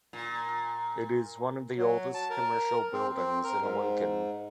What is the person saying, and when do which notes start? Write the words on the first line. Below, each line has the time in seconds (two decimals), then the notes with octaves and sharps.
It is "one of the oldest commercial buildings" in Lincoln.
0.13 A#2
1.78 F#3
2.14 A5
2.30 A#4
2.93 C4
3.16 C4
3.44 A#4
3.60 G#2